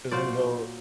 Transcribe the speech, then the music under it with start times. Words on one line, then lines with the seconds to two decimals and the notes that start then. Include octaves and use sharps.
'cause it can go
0.11 A#2 F#3 C5 D5